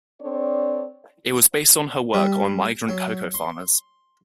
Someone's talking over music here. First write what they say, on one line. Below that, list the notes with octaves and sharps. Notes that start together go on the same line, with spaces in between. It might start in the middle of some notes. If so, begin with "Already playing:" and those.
It was based on her work on migrant cocoa farmers.
C4 D4 A4 C#5 D5
G3
F#3
C6